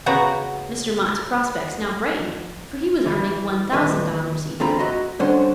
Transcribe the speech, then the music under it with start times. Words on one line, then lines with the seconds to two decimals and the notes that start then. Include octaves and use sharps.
Mr. Mott's prospects now brightened, for he was earning one thousand dollars a year.
0.06 C#3 B3 F#4 A#5
3.06 E3 G3
3.72 A#2 D#3 B4 E5
4.60 E2 D3 C4 F4 A#5 B5
4.79 F#4 D#5 E5
5.19 D3 G3 C#4 D4 C5 F#5